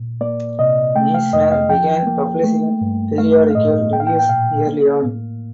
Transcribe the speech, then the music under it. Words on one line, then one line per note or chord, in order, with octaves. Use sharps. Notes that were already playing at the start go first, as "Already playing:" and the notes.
Meissner began publishing periodical reviews early on.
Already playing: A#2
A#3 D5
C3 D#5
A3 G5
F5
F2 D#5
F5
F3 G5
A#3
A3
G2
A3 F5
F5
A2 D#5
A#3 G5
F5
G5
G5
A#2 F5
A#3
A2